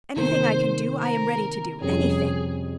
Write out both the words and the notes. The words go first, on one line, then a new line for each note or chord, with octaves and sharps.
Anything I can do, I am ready to do anything!
C3 D#3 A#3 C5
A#4
F2 C3 G3 C#4 G#4